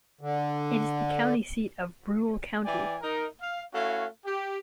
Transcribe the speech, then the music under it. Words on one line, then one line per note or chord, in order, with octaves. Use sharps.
It is the county seat of Brule County.
D3
E3 D5 G5 G#5
D#4 A#4
F5
A3 C#4 E4 F#4 F5
G4